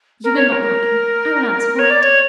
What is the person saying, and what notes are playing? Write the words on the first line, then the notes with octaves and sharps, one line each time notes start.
"You will not like him, I will answer for it."
A#4
C#5
C#5
A#4
C#5
D5
C#5